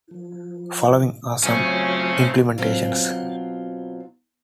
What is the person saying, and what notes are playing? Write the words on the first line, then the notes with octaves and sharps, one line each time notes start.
Following are some implementations.
F3
C#3 F#3 A3 C4 C#4 F4 C#5
B2 F#3 C4 F4